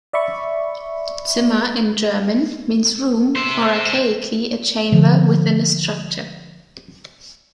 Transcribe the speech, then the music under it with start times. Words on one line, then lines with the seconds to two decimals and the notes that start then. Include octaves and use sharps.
"Zimmer" in German means room or archaically a chamber within a structure.
0.13 D5 E5 B5 C#6
3.36 C5 E5
4.92 D3 F3